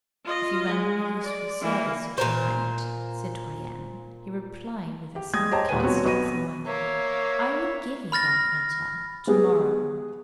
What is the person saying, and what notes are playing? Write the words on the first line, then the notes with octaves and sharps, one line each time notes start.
"If you render me useful service to-night, citoyenne," he replied with a sarcastic smile, "I will give you that letter . . . to-morrow."
F4 D#5
G#3
D5
E3 A#3
A#2 A#4 C5
G4
G3 G#3 D#6 G#6 A#6
G4 C5 C#5 D#5 A5 A#5
D#1 D#2 F4 B4 G#5 D#7
G3 B3 C4 F#4 C#5
B1 B3 B4 C#6 A#6 D#7
A#3 C#5 E5
B5 F6 A6 A#6
G#3 B3 G4 G#4